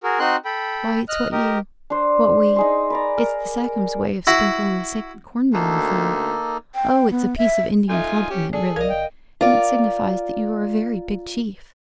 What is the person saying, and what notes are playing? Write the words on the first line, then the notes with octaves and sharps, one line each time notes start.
'Why it's what you--what we--it's the Sachems' way of sprinkling the sacred corn-meal in front of--oh! it's a piece of Indian compliment really, and it signifies that you are a very big chief.
F#4 G#4 A#4
C4 D#4 F#4 C6 F#6
A4 G5 B5
D#5 F6 F#6
G4 A#4 D#5
D4 C5
D#4 G#4 C6
B4 D5 A#5
A#4
E4 F#4
D2 A#3 D#4 A4
G5
B3
E5
D#4 F4 A4 E5 G#5
C#4 G4
G#4 A4 D5
B1 A#4 D#5 F5
G1 G5
F4 A#4 D5